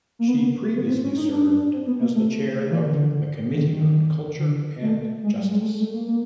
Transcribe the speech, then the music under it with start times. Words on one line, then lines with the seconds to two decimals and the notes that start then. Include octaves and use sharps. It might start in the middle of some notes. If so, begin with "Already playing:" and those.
She previously served as the chair of the Committee on Culture and Justice.
0.19 A#3
0.28 B3
0.38 A#3
0.61 A#3
0.75 B3
0.89 C4
1.03 C#4
1.16 D#4
1.31 D4
1.45 D4
1.58 D4
1.72 C4
1.86 B3
2.00 A#3
2.14 A3
2.70 E3
2.85 D3
3.54 D#3
3.69 D#3
4.38 D3
4.81 A3
5.23 G#3
5.37 G3
5.51 G#3
5.61 A3
5.79 A3
5.93 A#3
6.07 A#3